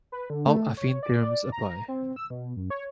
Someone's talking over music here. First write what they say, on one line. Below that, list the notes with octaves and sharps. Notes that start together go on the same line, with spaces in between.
All affine theorems apply.
B4
D3
A3
C#5
D5
A#5
C4
E6
B2
F#2
C#5